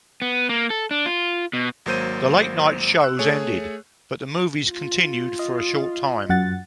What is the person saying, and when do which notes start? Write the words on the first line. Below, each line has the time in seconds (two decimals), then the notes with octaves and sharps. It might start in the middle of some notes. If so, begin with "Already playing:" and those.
The late night shows ended, but the movies continued for a short time.
0.22 B3
0.49 A#3
0.70 A4
0.91 D4
1.06 F4
1.53 B2
1.86 G#1 F#3 A#3 C5 G6 D#7
3.01 E6 F#6
3.19 A3 G#4 C#5
4.70 F4
5.39 D#5
6.29 F#2 F#5 A6